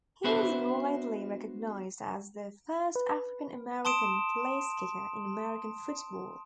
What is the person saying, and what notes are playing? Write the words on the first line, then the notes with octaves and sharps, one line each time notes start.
He is widely recognized as the first African American placekicker in American football.
B3 D4 F#4 B4 C5 E5
B4
A5 C6 D#6 D7 E7